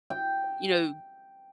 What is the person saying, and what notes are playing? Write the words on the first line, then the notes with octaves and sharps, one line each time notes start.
you know,
G5